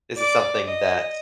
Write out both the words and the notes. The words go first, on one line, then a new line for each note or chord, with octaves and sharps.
This is something that,
D5 D6
D#5